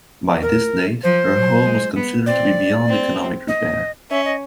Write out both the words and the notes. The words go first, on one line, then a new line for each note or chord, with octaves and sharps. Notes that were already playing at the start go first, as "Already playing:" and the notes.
By this date her hull was considered to be beyond economic repair.
A#4
F3 C5
F#3
G#3
B3
C4 D5
C4
D#5
C#4 E5
D#5